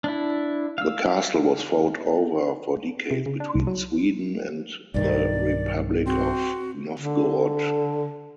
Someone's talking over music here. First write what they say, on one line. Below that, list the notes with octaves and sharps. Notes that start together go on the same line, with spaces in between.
The castle was fought over for decades between Sweden and the Republic of Novgorod.
D4 E4
F5 E6
C3
C#3
D4
C2
F#3
B1 G2 D#3 D5
C4 F#4
D3